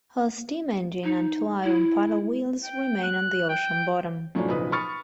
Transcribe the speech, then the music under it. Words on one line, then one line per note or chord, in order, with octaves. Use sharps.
Her steam engine and two iron paddle wheels remain on the ocean bottom.
D#4
E4
G5
F#6
G5
F#2 A2 F3 F#3 C#4 D4
F#1 B1 F3 B4 D#6
B5 C#6 D#6 F6 A6 C#7